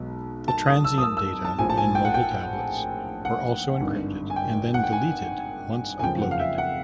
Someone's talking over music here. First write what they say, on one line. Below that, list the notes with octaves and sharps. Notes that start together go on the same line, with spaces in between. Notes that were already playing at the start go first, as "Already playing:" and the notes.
The transient data in mobile tablets were also encrypted and then deleted once uploaded.
Already playing: B1 B2 G#3 B3
A5
D#6
E6
D#6
E6
E6
A5
A#1 A2 F3 G#5
A5
G#5
G5
F#5
G5
F#5
G#1 G2 D3
G#5
G5
F#5
G5
G#5
G#5
F#1 F2 C#3 F3 G5
F#5
F5
E5
F#5